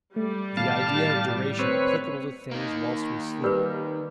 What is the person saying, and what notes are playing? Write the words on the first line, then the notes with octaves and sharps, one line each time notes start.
The Idea of Duration applicable to Things whilst we sleep.
G3 A3
A2 D#3 B3 F5 A5
C4 B4 C#5
D#3 A#3
G3 A#4 B4